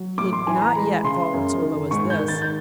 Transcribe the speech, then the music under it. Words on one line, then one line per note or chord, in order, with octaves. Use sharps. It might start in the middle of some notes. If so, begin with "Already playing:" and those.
He had not yet fallen so low as this.
Already playing: F#3
A2 D6
C6
E3 G#5
B5
A#5
G#3 B5
C#3 C6
F#2
D#3
G#2 C#6
G6
D#3
A6
G6